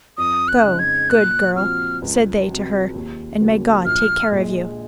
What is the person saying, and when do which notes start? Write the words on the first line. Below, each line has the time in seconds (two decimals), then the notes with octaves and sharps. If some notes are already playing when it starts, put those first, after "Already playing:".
"Go, good girl," said they to her, "and may God take care of you."
0.18 F2 D#6
0.48 F#6
0.64 C#3 G#3 D#4
0.79 G#6
1.09 A#2 F#6
1.56 F3 C4 F#4 F6
2.02 C#2
2.48 C3 F#3
2.94 D#2
3.40 C#3 F#3 A#3
3.86 A#1 F6
4.32 A#2 G#3